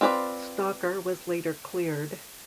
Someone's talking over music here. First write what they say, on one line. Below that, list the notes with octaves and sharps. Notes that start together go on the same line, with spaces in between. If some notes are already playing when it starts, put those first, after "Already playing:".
Stalker was later cleared.
C4 F4 B4 C5 D5